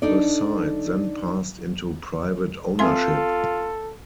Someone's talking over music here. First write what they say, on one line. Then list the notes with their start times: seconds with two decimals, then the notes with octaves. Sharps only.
The site then passed into private ownership.
0.02 D4 D#4 A4 D5
2.79 C4 F4 A4 E5 C6